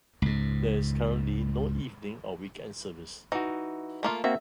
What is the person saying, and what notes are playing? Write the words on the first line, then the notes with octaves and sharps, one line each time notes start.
There is currently no evening or weekend service.
C#2 G#2
E3 D#4 F#4
A3 A#3 F4
A#3 C4 F#4 E5